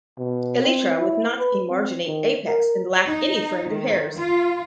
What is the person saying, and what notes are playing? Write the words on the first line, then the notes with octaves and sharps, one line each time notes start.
Elytra with not emarginate apex and lack any fringe of hairs.
B2
C4
E4
B4
C4
D#3
A#4
D#4
D#3
F4